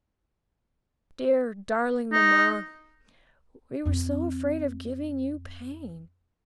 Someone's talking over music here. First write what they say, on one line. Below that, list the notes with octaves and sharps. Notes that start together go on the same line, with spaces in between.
'Dear, darling mamma! we were so afraid of giving you pain.
D#4
F2 C4